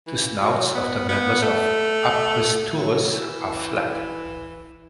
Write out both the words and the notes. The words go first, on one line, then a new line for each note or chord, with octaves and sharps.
The snouts of the members of "Apristurus" are flat.
E3
F#3
B3
B3
A3
F#3
E3